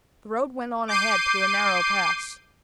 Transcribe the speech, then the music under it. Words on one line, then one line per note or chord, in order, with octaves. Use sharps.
The road went on ahead through a narrow pass.
D6 G6 C7 D#7